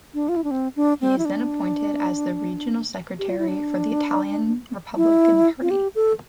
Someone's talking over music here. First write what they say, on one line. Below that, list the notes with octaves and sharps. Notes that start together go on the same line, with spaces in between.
He is then appointed as the regional secretary for the Italian Republican Party.
D4
F4
E4
D4
C4
D4
C4
E4
D4
G4
F4
E4
D4
E4
F4
G4
A4